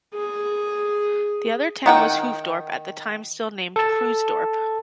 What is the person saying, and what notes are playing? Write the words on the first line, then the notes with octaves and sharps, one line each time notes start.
The other town was Hoofddorp, at the time still named Kruisdorp.
G#4
D#3 F#5 G5
A4 A5